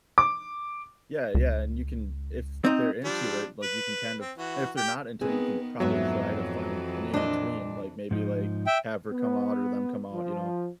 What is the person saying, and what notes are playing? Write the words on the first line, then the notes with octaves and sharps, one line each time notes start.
Yeah, yeah, and you can if they're into it, like, you can kind of and if they're not into it, you can probably try to find an in-between, like, maybe, like, have her come out or them come out, you know,
D6
C#2
C4 D#4
F3 G3 D4
B4
C4
E3 F#4
G4 G5
D#3 B3 C4 G#4 B4
F2 G#2 E3 F#3 B3 E5
A#2 D4 C5 D#5
G#2 F3 D#4
E5 G5
B3
F3